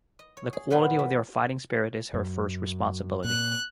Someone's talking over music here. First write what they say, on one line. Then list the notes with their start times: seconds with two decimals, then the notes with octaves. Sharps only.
The quality of their fighting spirit is her first responsibility.
0.19 D#5
0.37 C#5
0.53 G#4
0.70 A#2 C#3 F#3 B3 F4
0.99 E3
2.14 F#2
3.24 A#2 F#6